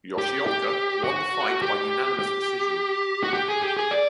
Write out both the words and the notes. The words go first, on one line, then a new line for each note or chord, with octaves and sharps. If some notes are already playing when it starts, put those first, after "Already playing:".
Yoshioka won the fight by unanimous decision.
G4
G4
F#4
G4
G4
F#4
G4
G#4
G4
G#4
D5